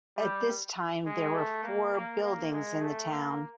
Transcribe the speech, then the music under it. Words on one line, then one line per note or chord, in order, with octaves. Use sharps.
At this time there were four buildings in the town.
G3
G#3
A3
A#3
A#3
A#3
G#3
A3
A#3